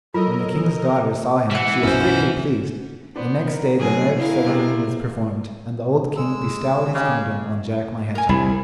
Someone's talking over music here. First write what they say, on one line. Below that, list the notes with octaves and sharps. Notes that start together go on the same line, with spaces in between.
When the King's daughter saw him she was greatly pleased, and next day the marriage ceremony was performed, and the old King bestowed his kingdom on Jack my Hedgehog.
F#3 F4 A4 A#4 D#5
E3 E5 F#5
B1 F#2 B2 C#4 C5
B3 D4 C5
D#4 A#4
B2 D3 F#3 G#4
E4 A#4 F5
C3 C4 G#4
G#3 E6
C#3 G4
A#4 G#5
C2 E4